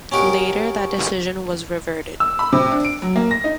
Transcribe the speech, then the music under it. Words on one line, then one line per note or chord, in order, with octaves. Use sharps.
Later that decision was reverted.
C#4 D#4 F#4 G4 A#4
E6
B5
C3
D4
D7
F#3
A#3
A#6
D#4